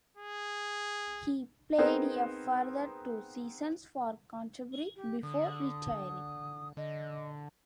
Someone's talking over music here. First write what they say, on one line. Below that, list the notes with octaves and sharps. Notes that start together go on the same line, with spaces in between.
He played a further two seasons for Canterbury before retiring.
G#4
B3 C4 D#4 G#4 A#4 C5
G4
D3 D#6
D3 D#5